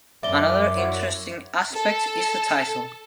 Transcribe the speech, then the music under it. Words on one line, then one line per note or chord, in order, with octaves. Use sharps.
Another interesting aspect is the title.
F#2 D5 E5 G7
E4 F#4 C#5
A4